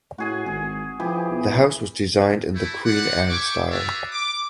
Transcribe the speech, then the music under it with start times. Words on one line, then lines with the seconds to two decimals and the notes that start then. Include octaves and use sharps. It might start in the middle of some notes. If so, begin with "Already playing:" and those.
The house was designed in the Queen Anne style.
0.18 A2 F#4 G#4 G#5
0.46 G#1 G#4
1.00 E3 F3 G4 G#4
1.30 B1
2.54 A3 E4
2.84 E4 F#4 C5 D5 F#5
3.29 E5 G5 G#5 C#6 D6
3.70 F#4 G#4 B4 C#5 D5 E5
4.11 D6